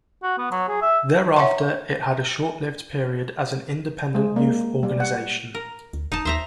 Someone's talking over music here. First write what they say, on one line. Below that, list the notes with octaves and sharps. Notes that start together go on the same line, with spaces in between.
Thereafter it had a short-lived period as an independent youth organization.
F#4
B3
F#3
G#4
E5
C#5 E5 F#5 A#5 C6 C#6
G#3
A#3
G3
F#5
A#4
D2
D#1 D#4 A5
D#2 C5 E5 A#5